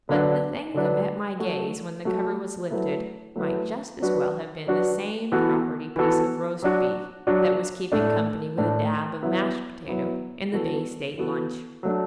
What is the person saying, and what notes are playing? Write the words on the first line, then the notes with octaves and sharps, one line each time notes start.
But the thing that met my gaze when the cover was lifted might just as well have been the same property piece of roast beef that was keeping company with a dab of mashed potato in the Bay State Lunch.
D3 F#3 D4 B4
D3 F#3 D4 B4
F#3 A3 F#4
F#3 A3 F#4
F#3 A3 E4 B4
F#3 A3 E4 B4
F#3 D4 F#4 B4
F#3 D4 F#4 B4
E3 B3 F#4 A4
E3 B3 F#4 A4
F#3 D4 F#4
F#3 D4 F#4
A2 A3 D4
A2 A3 D4
F#3 B3 E4
F#3 B3 E4
E3 B3 F#4 A4
E3 B3 F#4 A4
F#3 A3 D4